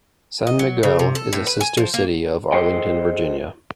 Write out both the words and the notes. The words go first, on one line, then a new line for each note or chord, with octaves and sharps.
San Miguel is a sister city of Arlington, Virginia.
D#5
F#3
C#3
C3
A4
A2
B4
G#5
F3
A#3
G#4 A4 C5 D#5 G5